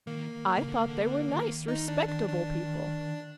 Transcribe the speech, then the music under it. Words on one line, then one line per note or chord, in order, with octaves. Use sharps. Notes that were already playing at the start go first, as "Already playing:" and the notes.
"I thought they were nice, respectable people."
D#3 A#3
C#3
D3
D3
D#3
D#4
D4
D4
D4